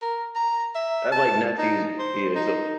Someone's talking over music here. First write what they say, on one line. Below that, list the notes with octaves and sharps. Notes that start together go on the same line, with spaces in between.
I have, like, nephews. Yeah, so
A#4
A#5
E5
A5
D#4
C5
D#4